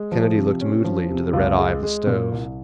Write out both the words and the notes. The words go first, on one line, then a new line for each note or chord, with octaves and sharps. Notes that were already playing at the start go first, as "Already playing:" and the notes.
Kennedy looked moodily into the red eye of the stove.
Already playing: G#3
F3
C3
C#4
F3
C3
C#2
G#3
G#3
A#2
C2